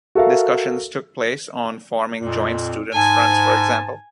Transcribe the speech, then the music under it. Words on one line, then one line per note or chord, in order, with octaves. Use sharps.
Discussions took place on forming joint students fronts, for example.
F#4 A4 A#4 E5 F5
F2 A#2
G#2 G#5 A5